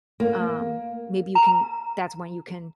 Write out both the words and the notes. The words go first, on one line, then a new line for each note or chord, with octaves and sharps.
Um, maybe you can that's when you can
A#3
A#5